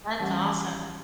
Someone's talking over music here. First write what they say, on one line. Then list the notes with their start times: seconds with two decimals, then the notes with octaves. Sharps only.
That's awesome.
0.20 E3 G3 C#4 G4 F#5